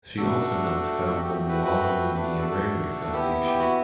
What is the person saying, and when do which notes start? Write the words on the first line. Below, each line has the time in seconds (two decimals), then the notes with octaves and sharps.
She also helped found the Mwalimu Nyerere Foundation.
0.17 A3 D4 F#4 A4
1.16 A3 C4 F#4 G4
1.49 B4
1.65 B4
2.14 A3 D4 F#4 B4
2.39 A4
3.03 F#4
3.13 B3 E4 G4
3.46 G4
3.59 F#4